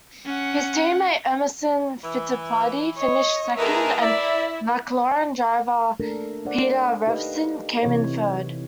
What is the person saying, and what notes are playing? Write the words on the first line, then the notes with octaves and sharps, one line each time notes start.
His teammate Emerson Fittipaldi finished second and McLaren driver Peter Revson came in third.
C#4 F#5
E3
C#5 D#5
D#2 G#4 A#4 B4 D#5 E5 A5
E4 D5 E5
A3 A#3 D4 A4 A#4
D4 C5 D5 F#5
D#4 G4 A4 B4 D#5 F5
C3 E3 C4 E4 C#5